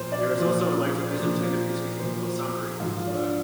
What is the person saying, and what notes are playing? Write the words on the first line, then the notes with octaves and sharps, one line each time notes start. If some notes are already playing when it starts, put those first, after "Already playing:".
There is also a later Byzantine epitome, or summary, of his work.
Already playing: A#2 F3 C5
D5
A#2 F3
A#2 F3
A#2 F3 C5
G#2 F3 F4
D4